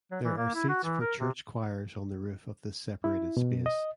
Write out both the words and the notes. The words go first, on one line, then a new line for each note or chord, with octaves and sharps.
There are seats for church choirs on the roof of this separated space.
F#3
E3
A#3
E4
F#4
E3
A#4
C3
E4
B2
D#5